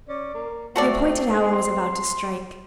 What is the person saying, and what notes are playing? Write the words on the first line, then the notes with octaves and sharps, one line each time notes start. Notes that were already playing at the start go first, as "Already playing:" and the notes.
The appointed hour was about to strike.
C#4 D5
A#3
A3 C4 F#4 A4 D5
C6